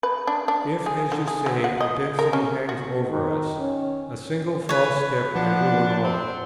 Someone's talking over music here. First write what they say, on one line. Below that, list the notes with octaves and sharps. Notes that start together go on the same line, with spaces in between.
If, as you say, a destiny hangs over us, a single false step may ruin all.
B4
D4
D4
G#4
D3
G#4
F#3
F#5
D#5
A#4
C#4
F#4
D#3
C#4
B4 C#5
F3 D4 F#5
C4